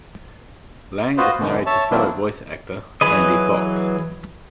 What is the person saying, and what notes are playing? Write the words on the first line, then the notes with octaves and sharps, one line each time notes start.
Lang is married to fellow voice actor Sandy Fox.
F4 F#4 B4 C5 D#5
F#2 B2 D3 E3
C#5 E5 A5
D#3 F#3 A#3 C4 D4 E4
E3 F#3 G#4 B4 D#5